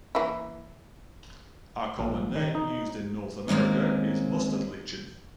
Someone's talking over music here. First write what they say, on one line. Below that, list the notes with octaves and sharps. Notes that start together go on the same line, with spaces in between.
A common name used in North America is "mustard lichen".
E3 A#3 E4
A#1
D#3
D#4
D#3 G#3 A#3 C4 C#4